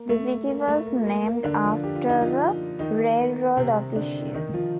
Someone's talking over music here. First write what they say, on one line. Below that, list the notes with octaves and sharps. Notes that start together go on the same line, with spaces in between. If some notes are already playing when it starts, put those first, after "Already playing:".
The city was named after a railroad official.
Already playing: A#3
A3
A#3
A3
A#3
A#3
A#3
D3 D4
F3 F4
G4
F4
D#4
F3 F4
D#3 D#4
A#3
C3 C4
D3 D4
D#3 D#4
F3 F4